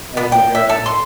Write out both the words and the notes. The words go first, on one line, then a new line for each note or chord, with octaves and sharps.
Oh my god.
B3
G5
E5
A4
C6